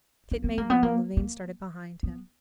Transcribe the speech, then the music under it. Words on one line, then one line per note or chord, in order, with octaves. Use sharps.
Tit made room, and Levin started behind him.
A#3
B3
A#3
B3
A#3
A#3
B3